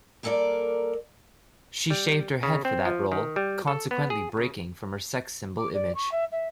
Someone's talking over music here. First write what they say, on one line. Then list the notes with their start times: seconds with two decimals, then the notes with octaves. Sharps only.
She shaved her head for that role, consequently breaking from her sex symbol image.
0.23 G3 A#3 A4 A#4 D5
1.90 G3
2.43 C#3
2.65 C4
2.85 F3
3.12 D#3
3.36 G3
3.68 A4
3.91 B3
4.10 G#4
4.37 C#3
5.57 D6
5.73 D5
5.95 C#6
6.11 E5
6.32 E5